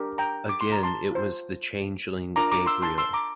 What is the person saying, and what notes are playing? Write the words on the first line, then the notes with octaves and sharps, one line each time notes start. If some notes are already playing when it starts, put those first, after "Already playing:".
Again it was the changeling Gabriel.
Already playing: D4 G4 A#4
G5 A#5
D6
C6
A#5
A5 C6
F4 C5
D4 F4 A#4 A#5 D6
A#5 D6
C6 E6
A5 C6
C6 E6
A#5 D6